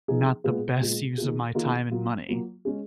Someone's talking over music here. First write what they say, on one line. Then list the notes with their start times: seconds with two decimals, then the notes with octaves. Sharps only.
not the best use of my time and money,
0.08 F3 B3 D#4 G#4
0.44 A#2 G#3 B3 F4 G#4
0.81 A#2 G#3 B3 F4 G#4
1.18 D#3 A#3 F4 G#4
1.55 D#3 A#3 F4 G#4
1.91 F#3 A#3 F4
2.28 F#3 A#3 F4
2.65 G#3 C#4 G#4